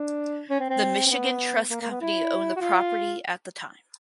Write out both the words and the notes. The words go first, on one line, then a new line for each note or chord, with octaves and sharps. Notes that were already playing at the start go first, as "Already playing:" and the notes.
The Michigan Trust Company owned the property at the time.
Already playing: D4
C#4
C4
C4
C4
B3
A#3
A#3
B3
E4
F#4
F4